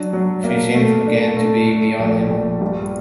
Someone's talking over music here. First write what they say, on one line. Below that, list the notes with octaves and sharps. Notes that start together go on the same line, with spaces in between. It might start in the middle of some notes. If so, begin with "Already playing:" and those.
She seemed again to be beyond him.
Already playing: F#3 D4
F#3
A#3
A3
D4
A3
A3
A#1
A#1
G2